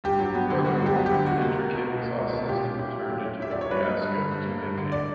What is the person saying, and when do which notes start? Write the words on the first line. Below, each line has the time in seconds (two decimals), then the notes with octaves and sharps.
Furthermore, the intricate exhaust system turned into a fiasco to maintain.
0.04 G2 G4
0.19 F#3
0.35 B3
0.50 D3
0.65 G2 F#4
0.81 F#3 G4
0.95 B3
1.06 G4
1.12 D3
1.26 C#2 F#4
1.42 A#3
1.57 C#2
1.72 B2
1.87 C#2
2.02 A#3
2.18 C#2
2.33 B2
2.49 A#2 G4
2.64 C#4
2.79 E4
2.95 F#3
3.10 A#2
3.24 C#4
3.40 E4 E5
3.51 F#3 D5
3.61 C#5
3.70 G2 B4
3.85 A#3
4.01 G2
4.16 D3
4.31 G2
4.46 A#3
4.62 G2
4.78 D3
4.92 D5